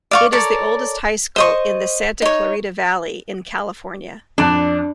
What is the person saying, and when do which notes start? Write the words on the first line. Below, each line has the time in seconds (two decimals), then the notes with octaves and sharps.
It is the oldest high school in the Santa Clarita Valley in California.
0.11 D5 F5 C#6
0.32 A4 A#4 C#5 D5
1.36 C5 D#5 C#6
2.22 D#4 C#5
4.38 F2 D4 D5 F#6